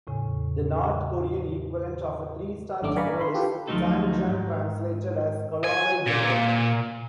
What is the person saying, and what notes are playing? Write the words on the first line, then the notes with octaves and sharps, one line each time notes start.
The North Korean equivalent of a three-star general is "sangjang", translated as "colonel general".
E2 A2 C#3 G#5
G#1 F#2 A3 D4 D6
D5 F5 G#5 A#5 B5 C#6
B5 C6
F4 G4 A4 B4
D2 F3 F#3 A3 D#4 A4
G#2
G#5
A#2